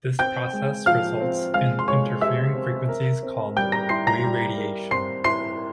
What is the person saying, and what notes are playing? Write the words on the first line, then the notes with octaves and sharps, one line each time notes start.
This process results in interfering frequencies called reradiation.
C4 G5 G6
G#3
F3 F5 F6
C4
G#3 F5 F6
C6
G#3 C#5 C#6
G4 E5 E6
C4
A#4
C4
G3 G5 G6
A#5 A#6
E4 C6 C7
A#5 A#6
G3
A#4
C4 C6 C7
E4 C6 C7